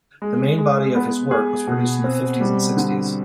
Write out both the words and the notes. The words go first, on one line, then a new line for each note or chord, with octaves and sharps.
The main body of his work was produced in the fifties and sixties.
G#3
G#3
B3
G#4
B2
C4
G3
D3